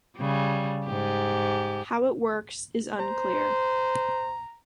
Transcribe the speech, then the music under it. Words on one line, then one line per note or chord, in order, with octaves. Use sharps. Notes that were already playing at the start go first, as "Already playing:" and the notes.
How it works is unclear.
C#3 G3
G#2 G4
C5 A#5